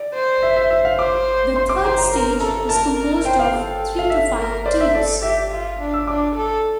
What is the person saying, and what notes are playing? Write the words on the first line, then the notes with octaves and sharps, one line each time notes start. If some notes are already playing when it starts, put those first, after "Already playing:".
The third stage is composed of three to five teams.
Already playing: D5
C5
E5
E5
E5
F5
C5 D6
C6
D6
C5 A#5
A#5
A#4
A4 A#5
A#4 A5
A#4
C5 G5
F5
A4
F5
E5
A#4
C5 D5
E5
A4 D5
G4 E5
F4
D4
E6
D4 D6
A4